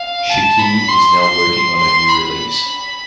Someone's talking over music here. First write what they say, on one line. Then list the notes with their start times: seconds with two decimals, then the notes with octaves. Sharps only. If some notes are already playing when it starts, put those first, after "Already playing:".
Shikhee is now working on a new release.
Already playing: F5
0.29 A5
0.59 B5
0.88 C6
1.19 C6
1.79 C6
2.08 B5